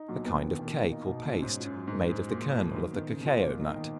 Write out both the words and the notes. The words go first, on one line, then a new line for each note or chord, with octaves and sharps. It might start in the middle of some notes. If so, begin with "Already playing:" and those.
A kind of cake or paste, made of the kernel of the cacao-nut.
Already playing: D#4
A#2 F#3
B2
A#2 B3
B2
A#2 D#3
B2
A#2 D#3
B2
A#2 A#3
D#4
B2
B2
F#2
G#2 C#4
F4
F#2
F#3
G#2 A#4
G#2 D#4
F#4
A#2
G#3
F3
A#4
D#3 F#3
B3
D#3
C#3
B2
F4
A#2 A#3
D#4
D#3